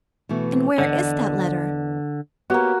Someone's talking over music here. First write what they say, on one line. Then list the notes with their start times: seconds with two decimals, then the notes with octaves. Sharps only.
"And where is that letter?"
0.29 B2 E3 A3
0.78 E2 D3 D#5 F#5
2.50 A#3 B3 F#4 G4 C#5